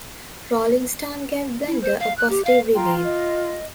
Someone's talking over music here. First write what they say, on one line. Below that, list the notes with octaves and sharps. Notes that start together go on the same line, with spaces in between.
"Rolling Stone" gave "Blender" a positive review.
E4
C5
F5
F#6
G4
F5
F4 G5 A#5 C6
D#5